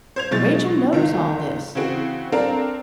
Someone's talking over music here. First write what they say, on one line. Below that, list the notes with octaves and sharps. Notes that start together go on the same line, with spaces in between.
Rachel knows all this.
C5 G#6 F7
B2 E3 F#3 G#3 E4 A6
C#2 D#3
C#3 E3 C4 F#4 G#4
C4 D4 A4 A#4 F5 A#5